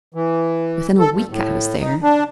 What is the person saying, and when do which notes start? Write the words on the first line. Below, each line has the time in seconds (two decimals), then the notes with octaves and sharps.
Within a week I was there.
0.14 E3
0.99 A4
1.11 G2
1.30 A2
1.81 D#4
2.02 D4